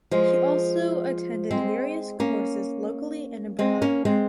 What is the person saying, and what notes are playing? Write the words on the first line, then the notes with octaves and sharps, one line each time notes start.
He also attended various courses locally and abroad.
F3 G#3
G#3 C4
A#3 C#4
G#3 C4
A#3 C#4
G#3 C4